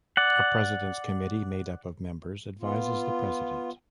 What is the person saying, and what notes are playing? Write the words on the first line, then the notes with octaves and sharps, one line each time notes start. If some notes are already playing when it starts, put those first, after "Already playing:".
A President's Committee, made up of members, advises the president.
D5 F#5
B3 F4